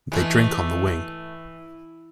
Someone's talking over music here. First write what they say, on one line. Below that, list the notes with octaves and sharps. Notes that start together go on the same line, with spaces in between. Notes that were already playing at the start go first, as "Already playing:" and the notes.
They drink on the wing.
E3 G#3 A3